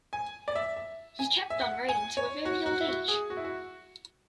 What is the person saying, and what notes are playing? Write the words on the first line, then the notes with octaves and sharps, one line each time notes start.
He kept on writing to a very old age.
G#5
D5
E5
E5
G#5
E5
F#5
G#5
C#5
F#4
F#4
E4
F#4
G#4
F#4
E4
F#4